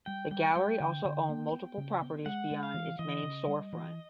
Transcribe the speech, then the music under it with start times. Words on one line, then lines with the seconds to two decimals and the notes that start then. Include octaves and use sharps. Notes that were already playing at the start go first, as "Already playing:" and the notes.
The gallery also owned multiple properties beyond its main storefront.
0.06 G3 G5
0.31 G3 G5
0.56 G3 G5
0.80 D3
1.05 D3
1.29 A#3
1.52 B3
1.78 C#3
2.02 B3
2.26 G#3 F#5
2.51 G#3
2.63 F5
2.74 E3
2.99 E3 D#5
3.23 C#3
3.47 G3
3.73 E3